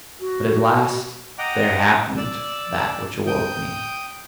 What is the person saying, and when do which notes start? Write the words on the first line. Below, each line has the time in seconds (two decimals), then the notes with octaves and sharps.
But at last there happened that which awoke me.
0.20 F#4
1.38 D#5 F#5 G5 A#5 D6
2.17 D5 E6
3.27 G5 D#6 G6